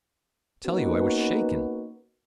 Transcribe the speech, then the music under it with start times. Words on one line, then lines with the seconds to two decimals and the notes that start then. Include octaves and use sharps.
I tell you I was shaken.
0.67 A#3 B3 C#4 D#4 F#4 B4